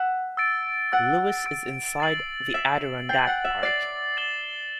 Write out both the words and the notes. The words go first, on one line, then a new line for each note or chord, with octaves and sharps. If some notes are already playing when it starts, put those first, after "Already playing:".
Lewis is inside the Adirondack Park.
Already playing: E5 F#5
E6 A6 D7
F#5 E6 A6 D7
E6 A6 D7
A6 C7 F#7
E5 A6 C7 F#7
G5 A6 C7 F#7
F#5
E5
D5 A6 C7 F#7
A6 E7 G7